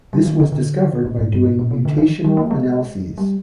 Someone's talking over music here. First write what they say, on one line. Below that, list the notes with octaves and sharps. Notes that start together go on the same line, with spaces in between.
This was discovered by doing mutational analyses.
G3
D#3
D3
D3
A#2
G#2
G2
G#2
A#2
C3
D3
D#3
G3
A#3
G#3
G3